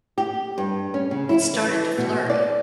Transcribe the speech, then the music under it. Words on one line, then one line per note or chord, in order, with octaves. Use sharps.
it started to flurry,
G4
G2
C#4
C#3
E4
E3
B2
D5